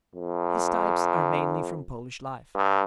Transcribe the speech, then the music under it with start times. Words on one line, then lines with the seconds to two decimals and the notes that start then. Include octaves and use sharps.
His types are mainly from Polish life.
0.15 F2
2.56 G2